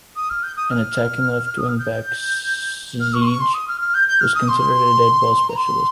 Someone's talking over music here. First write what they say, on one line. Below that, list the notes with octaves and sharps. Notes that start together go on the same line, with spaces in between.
An attacking left wing-back, Ziege was considered a dead-ball specialist.
D#6
F6
G6
D#6
F6
D#6
F6
G6
F6
C#6
C6
C#6
C6
D#6
F6
F6
G6
G6
F6
D#6
C6
A#5
C6